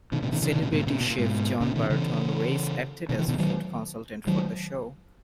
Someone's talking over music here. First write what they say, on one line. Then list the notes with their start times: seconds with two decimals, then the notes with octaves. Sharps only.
Celebrity chef John Burton Race acted as food consultant for the show.
0.12 B2 D#3
0.22 A#2 C#3
0.32 B2 D#3
0.42 C#3 E3
0.52 B2 D#3
0.62 A#2 C#3
0.72 G#2 B2
0.86 A#2 C#3
1.01 B2
1.10 A#2
1.18 G#2 B2
1.61 A#2 C#3
1.75 B2 D#3
1.90 C#3 E3
3.09 B2 D#3
3.19 C#3 E3
3.28 B2 D#3
3.38 D#3 F#3
4.27 D#3 F#3